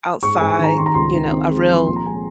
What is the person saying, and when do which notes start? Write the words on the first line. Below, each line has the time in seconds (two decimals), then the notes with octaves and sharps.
outside, you know, a real
0.23 G#2 C#6
0.36 G#2 G#5
0.50 G#5
0.59 D#3
0.64 A#5
0.77 D#3 C6
0.86 A#5
0.94 C#2 C6
1.14 D#3
1.32 C4
1.50 G#3
1.69 F3
1.86 A#2 C6
1.96 A#5
2.05 G#3 G#5